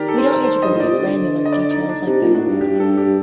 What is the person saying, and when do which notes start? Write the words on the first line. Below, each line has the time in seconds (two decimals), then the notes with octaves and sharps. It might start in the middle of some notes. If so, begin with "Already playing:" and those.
We don't need to go into granular details like that.
Already playing: D#3 G4 A#4 D5
0.08 A4
0.18 C5
0.26 A#4
0.44 C5
0.63 D#5
0.68 G2
0.75 A2
0.80 A#2 D5
0.91 C3
0.98 D3
1.46 D#5
1.52 D5
1.71 D#4
1.89 D4
2.07 C3 D#4
2.21 A#2
2.34 A2 F#4
2.48 G2
2.61 G2 G4
2.79 G2 A4
2.97 G2 G4